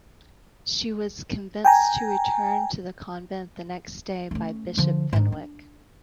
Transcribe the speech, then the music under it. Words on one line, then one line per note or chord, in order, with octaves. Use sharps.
She was convinced to return to the convent the next day by Bishop Fenwick.
G5 G#5 A#5
A3 C#4
D3 F3
G#2 D4
D4